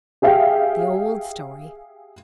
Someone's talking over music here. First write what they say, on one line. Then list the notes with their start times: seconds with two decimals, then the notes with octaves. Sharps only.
The old story.
0.22 G4 G#4 E5 F5 G5